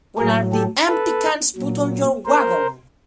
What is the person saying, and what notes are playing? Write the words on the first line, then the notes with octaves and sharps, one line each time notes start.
When are the empty cans put on your wagon?
A2 F#3 G#4 A#4
G4 A4
A4 B4
A#2 F#3
A#4 C5